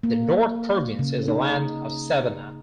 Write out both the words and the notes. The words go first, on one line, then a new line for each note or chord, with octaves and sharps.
The North Province is a land of savanna.
A#3
C#3
D#4